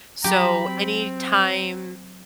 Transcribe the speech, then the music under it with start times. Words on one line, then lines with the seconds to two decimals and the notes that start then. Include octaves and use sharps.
So anytime
0.24 F#3 G4 A#5 B5
0.69 C4